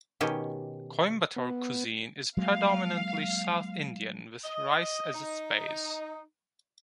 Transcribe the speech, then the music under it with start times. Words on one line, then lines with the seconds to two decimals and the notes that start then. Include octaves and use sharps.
Coimbatore cuisine is predominantly south Indian with rice as its base.
0.21 B2 D#3 C#4 G4
1.36 B3
2.37 F#3 G#3 A#3 F5
4.44 D#5
5.14 D#4